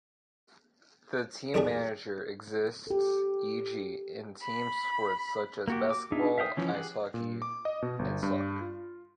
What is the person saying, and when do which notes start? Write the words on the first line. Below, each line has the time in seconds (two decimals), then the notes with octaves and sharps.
The team manager exists e.g. in team sports such as basketball, ice hockey and soccer.
1.54 B1 A2 C#3 D4 G4 G#4
2.87 G4 A4
4.43 B5
5.68 A#3 F#4 G4
5.91 D6
6.12 D4 D#4 F4 G#4 E5
6.38 E5 F5 G5 D#6
6.57 E3 F3 C#4
6.74 G4 G#4 F#5
7.14 A#2
7.42 D6
7.65 D#5
7.82 B2
7.99 G1
8.23 G2
8.61 F4